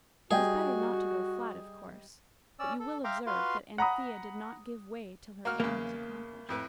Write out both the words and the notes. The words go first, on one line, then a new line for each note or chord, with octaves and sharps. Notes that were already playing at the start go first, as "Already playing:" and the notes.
It is better not to go flat, of course, but you will observe that Anthea did not give way till her aim was accomplished.
G3 F#4 G#4 D#5 G5
C#4 D5 E6
A4
E5 F5 G5 A#5 C6 D6
F4 F#4 B4 F5 C6
F#5 A#5 B5 D#6
A#3 F#4 F6
E2 C#3 A#3
F2 A2 B4